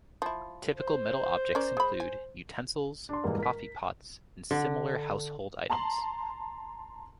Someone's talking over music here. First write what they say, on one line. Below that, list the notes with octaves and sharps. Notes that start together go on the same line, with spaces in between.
Typical metal objects include utensils, coffee pots, and similar household items.
F3 E4
C5
C#4 A#4 D5
G#3 B5
G#5
D4 C6
E1 G#2 E3 G3 A#3
A#4 B6
D3
A5 A#5 C6 F#7